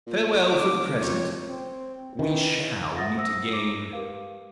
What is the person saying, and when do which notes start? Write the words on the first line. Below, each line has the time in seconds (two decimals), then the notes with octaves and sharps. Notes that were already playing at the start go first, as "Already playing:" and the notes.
Farewell for the present; we shall meet again.'
0.07 A#2
0.49 F1 D6
1.02 F2 C#5
1.49 C4
2.19 D#3 E3
2.97 E5 F#5 D#6 A6 A#6
3.17 C5 D#6 E6 A#6
3.53 D6
3.93 G4 A#4 B4 F5